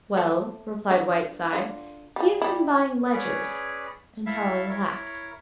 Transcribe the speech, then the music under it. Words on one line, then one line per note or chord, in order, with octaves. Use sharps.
"Well," replied Whiteside, "he has been buying ledgers," and Tarling laughed.
A3
D3
D3 F4
F3 G3
G3 E4
C#4 G#4 B4 C#5 D5
E4 A4 E5 F5
E4 A#4 C#5